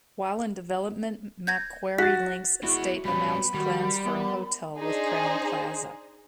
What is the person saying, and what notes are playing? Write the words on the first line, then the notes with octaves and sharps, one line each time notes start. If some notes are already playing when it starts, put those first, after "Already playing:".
While in development Macquarie Links estate announced plans for a Hotel, with Crowne Plaza.
G6 G#6 A#6
F#4 A6 B6
G#3 B3 E4 F#4
G3 B3 C#4 B5
D#3 G3 F#4
B3 A#4
D4 D#4 G#4 C5